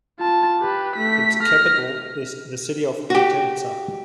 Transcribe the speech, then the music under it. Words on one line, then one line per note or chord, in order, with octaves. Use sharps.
Its capital is the city of Potenza.
F4 A5
G4 B4
A3 B6
F6 A#6
F#4 G4